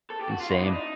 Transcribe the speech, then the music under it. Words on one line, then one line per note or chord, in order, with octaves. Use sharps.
And same.
A4
G4
F#4
F4
E4
D#4
D4
D#4